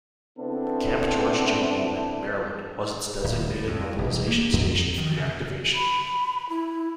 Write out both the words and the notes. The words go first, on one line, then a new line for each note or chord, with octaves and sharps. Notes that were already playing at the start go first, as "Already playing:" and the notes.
Camp George G. Meade, Maryland, was its designated mobilization station for reactivation.
C#3 B3 C4 D4 E4 A4
D1
A2
F2
E1
A#3
F2
D#3
C#3
B5
E4